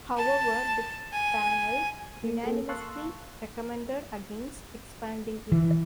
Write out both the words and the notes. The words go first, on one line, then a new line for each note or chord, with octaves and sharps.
However, the panel unanimously recommended against expanding it.
A5
G#5
A#3
A#3 G#4 A4
F5 A5 C6 C#6 E6 F#6
E3